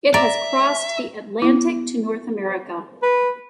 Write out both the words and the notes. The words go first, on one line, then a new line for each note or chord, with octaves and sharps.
It has crossed the Atlantic to North America.
D5 E5 A#5
B3 E4
B4